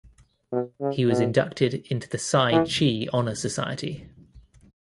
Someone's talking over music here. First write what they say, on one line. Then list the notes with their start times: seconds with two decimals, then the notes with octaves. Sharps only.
He was inducted into the Psi Chi honour society.
0.52 B2
0.81 C#3
1.08 B2
2.52 E3